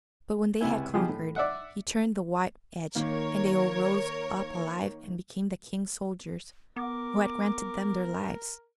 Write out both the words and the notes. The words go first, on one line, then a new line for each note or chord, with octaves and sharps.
But when they had conquered, he turned the white edge, and they all rose up alive and became the King's soldiers, who had granted them their lives.
C#2 C3 E4 G#5
B2 F3 G4 G#4
A2
D5 E5 F#5
D#3 A#3 A#4 C#5
B3 A#4 D6